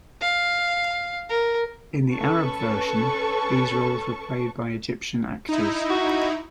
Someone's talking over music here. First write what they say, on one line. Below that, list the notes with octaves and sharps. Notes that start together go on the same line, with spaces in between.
In the Arab version these roles were played by Egyptian actors.
F5
A#4
C#4 A4 B4 A5 C#6
D#4 E4
F#4